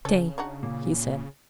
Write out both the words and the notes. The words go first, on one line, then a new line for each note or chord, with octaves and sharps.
"Stay!" he said.
C#3 C#4 A4
D4 D#4 F#4
A#2